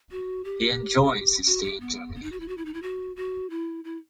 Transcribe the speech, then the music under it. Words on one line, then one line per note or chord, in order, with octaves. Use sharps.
He enjoys his stay in Germany.
F#4
G4
F#4
G4
B3
B3
D#4
F#4
E4
F#4
E4
D#4
E4
F#4
F#4
E4
E4